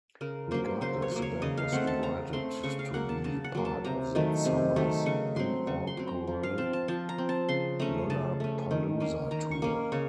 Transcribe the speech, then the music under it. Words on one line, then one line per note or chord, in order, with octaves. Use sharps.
Regardless, the band was invited to be part of that summer's inaugural Lollapalooza tour.
C#3 A#4
F#3 A#3 C5
C#3 C5
C#5
F#3 A#3
C#5
C#3 D#5
F5
A3 C4 F#5
A5
C#3 A#5
A3 C4 C6
C#3 C#6
F5
F#3 A#3 F#5
A5
C#3 A5
F#5
F#3 A#3
A5
C3 A#5
D#3 F#3 A3
C3
D#3 F#3 A3
C#3 C#6
F#3 C4 C6
C#3 C#6
C6
F#3 C4
A#5
F3
F5
C4 A5
A5
F3 A5
A#5
C4
A5
C#3 C6
A3 C#4 A#5
C#3 A5
A3 C#4
D#3
A#3 C#4
D#3 A#5
C#6
A#3 C#4
C#3 C#5